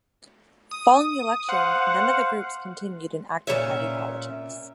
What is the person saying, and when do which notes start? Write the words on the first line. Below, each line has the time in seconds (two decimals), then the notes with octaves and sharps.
Following the election, none of the groups continued in active party politics.
0.71 D#6
1.49 C5 F5 F#5
3.47 A#2 F#3 C#4 E5